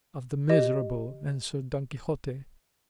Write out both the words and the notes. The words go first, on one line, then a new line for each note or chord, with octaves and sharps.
"Of the miserable," answered Don Quixote.
G4 D#5